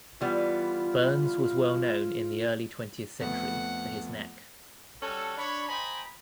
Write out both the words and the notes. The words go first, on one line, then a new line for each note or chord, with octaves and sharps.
Burns was well known in the early twentieth century for his neck.
E3 G3 B3 F4
F2 A3 B3 F#5
G3 C#4 F#4 A4
D4 C#5 B5
C5 D#5 G5 G#5 A#5 B5